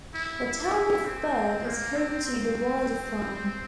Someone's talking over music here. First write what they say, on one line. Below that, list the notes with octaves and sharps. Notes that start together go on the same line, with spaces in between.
The town of Burke is home to the Wilder Farm.
E4
E4
C4
A#3
C4
C4